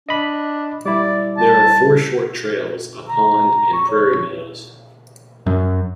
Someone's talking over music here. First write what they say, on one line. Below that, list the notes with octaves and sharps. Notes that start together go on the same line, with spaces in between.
There are four short trails, a pond, and prairie meadows.
D4 D#5 B5
G3 E4 D5
A5
A#5
C#6
C#5
F#2